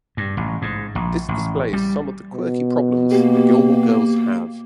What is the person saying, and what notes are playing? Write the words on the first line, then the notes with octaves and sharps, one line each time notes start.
This displays some of the quirky problems the Gilmore girls have.
G2
A1
G#2
A#1
A1
G3
B2
A#3 G4